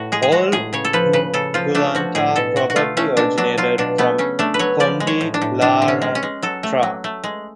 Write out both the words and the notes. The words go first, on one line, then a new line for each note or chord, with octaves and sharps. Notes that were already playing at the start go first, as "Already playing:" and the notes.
All Ungulata probably originated from Condylarthra.
Already playing: A2 F#4
G#3 G#4
G#4
G#3 F#4
A2 G#4
C#3 C#5
A4
F3 B4
C#3 B4
C#3 A4
F3 F4
A3 D4
F3 F#4
A2 G#4
B2 A4
B2 F#4
F#4
A3 F4
A3 C#4
B2 D4
F#3 D4
F#3 F4
B2 D4
A3 B3
C#3 C#4
A3 D4
B4
F#3 C#5
F3 D5
G#3
C#5
A2
D4
A2
D3 D4
D3
C#4
G#3
C#4
G#3
F#3 A4
A3
F#3
A3
G#3